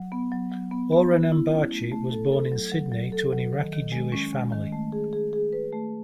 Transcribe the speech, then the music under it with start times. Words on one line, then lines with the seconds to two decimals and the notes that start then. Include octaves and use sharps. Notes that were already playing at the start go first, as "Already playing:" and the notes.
Oren Ambarchi was born in Sydney to an Iraqi Jewish family.
Already playing: F#3
0.12 B3
0.32 F#3
0.52 F#3
0.71 B3
0.92 B3
1.11 E4
1.32 E4
1.52 C#4
1.71 A3
1.92 A3
2.12 A4
2.32 A4
2.52 F#3
2.72 F#3
2.92 F#3
3.12 A4
3.33 F#3
3.53 D#3
3.73 D#3
3.92 G#3
4.12 C#4
4.33 G#3
4.53 D#3
4.72 A3
4.92 G#4
5.13 G#4
5.33 G#4
5.53 B4
5.73 A3